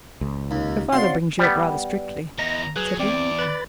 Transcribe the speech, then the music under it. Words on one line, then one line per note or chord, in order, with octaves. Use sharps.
"Your father brings you up rather strictly?" said he.
C#2
D#2 D#4
C4 C#4 F#4 D5 F5 F#5 C6
G3 B3
E2 D#5 A#5 A#6
F#3 G#4 B4
E2 C4 D5
B4 B5 A6